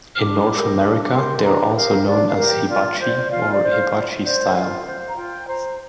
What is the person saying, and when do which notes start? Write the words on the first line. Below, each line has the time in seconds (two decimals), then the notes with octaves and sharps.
In North America, they are also known as "Hibachi" or "Hibachi-style".
0.16 F6
0.20 D4 D6
0.52 G4 A#4
0.82 D4 D6
1.06 D6
1.13 G4 A#4 C6
1.39 C6
1.45 D4 A#5
1.69 G5
1.76 G4 A#4 F5
2.06 D4 D5
2.27 F5
2.38 G4 A#4
2.48 G5
2.69 F4 D5
3.00 C5
3.31 F4 F5
3.51 D5
3.62 C5
3.72 F5
3.93 F4
4.24 C5 D5
4.55 F4 F5
4.86 C5
5.09 A#5
5.16 F4 G5
5.48 C5 A#5